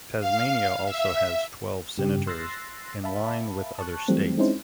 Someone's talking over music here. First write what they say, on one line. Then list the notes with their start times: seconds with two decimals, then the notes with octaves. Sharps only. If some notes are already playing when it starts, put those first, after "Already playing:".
Tasmania also has twelve Senators in line with other states.
0.20 F5
0.85 E5
1.98 G2 C#3 G4
2.27 C6 E6 F#6 A6 A#6 C7
3.04 E5 F5 A5 B5
3.78 A5 C#6 F#6
4.08 E3 F#3 G3 A3 C4
4.37 G#3 C4 C#4 D#4 E4 C5